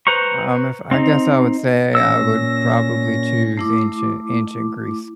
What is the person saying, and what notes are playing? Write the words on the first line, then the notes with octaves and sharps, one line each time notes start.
Um, if I guess I would say I would probably choose ancient ancient Greece.
B4 C5 A#5 C#6
C4 D#4
A#2 C#4 E6 A#6
A3 E4 D6